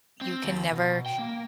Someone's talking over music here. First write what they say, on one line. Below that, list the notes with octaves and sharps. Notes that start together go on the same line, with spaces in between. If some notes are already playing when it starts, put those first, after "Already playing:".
you can never
C4
D#2
B2
G5
A#3